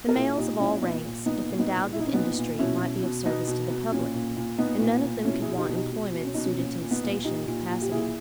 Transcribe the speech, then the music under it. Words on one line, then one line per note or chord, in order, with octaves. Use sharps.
The males of all ranks, if endowed with industry might be of service to the public; and none of them could want employment suited to his station and capacity.
A#4
A#2 E4 G#4
A#2 D#4 G4
A#2 C#4 E4
A#2 B3 D#4
A#2
A#2 B3 D#4
A#2
B3 D#4
A#2
A#2 E4
D#4
C#4
A#2 B3 D#4
A#2
B2 C#4 E4
B2
B2
B2 B3 D#4
B2
B2
A#2 C#4
A#2
A#2
A#2 B3 D#4
A#2
A#2
B2 C#4 E4
E4 G#4
B2
D#4 G4
B2
D#4 G4
B2
B2
C#4
B2 D#4
C#4
A#2 C#4
A#2
B3 D#4
A#2
A#2 D#4 G4
A#2
A#2
G4
A#2 E4 G#4